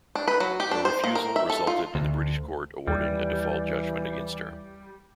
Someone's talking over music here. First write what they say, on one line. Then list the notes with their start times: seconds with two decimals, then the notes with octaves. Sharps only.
Her refusal resulted in the British Court awarding a default judgment against her.
0.15 D4
0.28 B4
0.40 F#3
0.60 G4
0.71 D4
0.85 C5
1.04 A#3
1.15 A#4
1.36 E5
1.50 A4
1.67 F4
1.95 D2
2.88 D#2 E3 G3